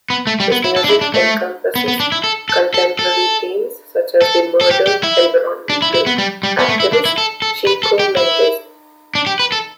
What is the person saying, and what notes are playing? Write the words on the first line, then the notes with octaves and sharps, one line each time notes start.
His music encompasses contemporary themes such as the murdered environmental activist, Chico Mendes.
B3
A3
G3
B3
E4
A4
D4
E4
D4
A3
B3
B3
D4
E4
A4
A4
A4
A4
A4
A4
G4
G4
E4
D4
E4
E4
B3
G3
G3
B3
A3
E4
D4
E4
A4
A4
B4
A4
G4
E4
D4
G4
B4
A4